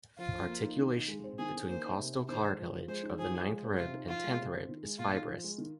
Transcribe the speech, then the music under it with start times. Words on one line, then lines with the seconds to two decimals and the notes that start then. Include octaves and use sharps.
Articulation between costal cartilage of the ninth rib and tenth rib is fibrous.
0.18 F3 F4
0.34 F3
0.48 A#3
0.63 D#4
0.79 D#3
0.93 D#4
1.08 G#3
1.24 C4
1.39 D#3 G#4
1.53 D#3
1.68 A#3 C5
1.84 D#4
1.98 C3
2.13 C3
2.29 D#3 C5
2.44 G#3
2.58 F3
2.74 F3
2.88 G#3 C5
3.03 D#4
3.19 F3 G#4
3.34 F4
3.49 G#3
3.64 C4
3.78 C3 F4
3.93 D#4
4.08 F3 F4
4.24 G#3
4.39 C3
4.54 C4
4.69 D#3
4.83 G#3
4.99 A#2 F4
5.14 D#4
5.28 F3
5.44 G#3
5.58 D#3